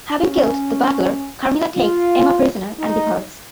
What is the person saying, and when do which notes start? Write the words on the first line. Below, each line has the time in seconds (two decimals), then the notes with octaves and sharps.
Having killed the butler, Carmilla takes Emma prisoner and departs.
0.19 C#4
1.76 F4
2.79 D#4